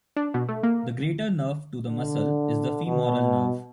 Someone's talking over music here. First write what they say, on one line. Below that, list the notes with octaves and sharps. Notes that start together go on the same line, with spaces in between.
The greater nerve to the muscle is the femoral nerve.
D4
B2
A3
A#3
D3
B2